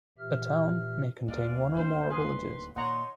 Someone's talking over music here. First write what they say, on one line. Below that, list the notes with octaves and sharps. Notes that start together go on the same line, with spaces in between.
A town may contain one or more villages.
A#2 E3 G4 E5 F6
D#2 G#3 A#3 D5 F5
D1 D#2 D4 C5
G#4 B4 C6
A#2 D#3 D#4 C#5 F#5 A#5 C6